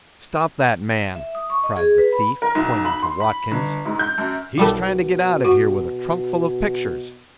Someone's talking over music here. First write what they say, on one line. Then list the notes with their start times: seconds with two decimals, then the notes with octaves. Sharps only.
"Stop that man," cried the thief, pointing to Watkins, "he's trying to get out of here with a trunkful of pictures."
1.15 E5
1.35 D#6
1.50 C#6
1.63 D#5
1.77 G#4
1.98 B4
2.12 B5
2.42 A#4
2.55 B1
2.85 B5
3.02 C6
3.20 B5
3.51 G1
3.85 G#2
3.99 G6
4.18 F#2
4.58 B1 B2 G3 F4 A4 A#4
5.45 F#4 F#5 C#6